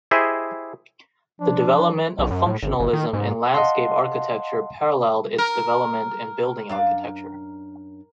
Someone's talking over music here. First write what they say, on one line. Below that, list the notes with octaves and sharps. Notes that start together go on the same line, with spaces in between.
The development of functionalism in landscape architecture paralleled its development in building architecture.
E4 G4 G#4 C5 D#5 E5
F3 D4
B1
F#2
A2
G#1
G1
D#3
G#2
D#5 F5 F#5 A5 C6
A#4
F#2 D4 F5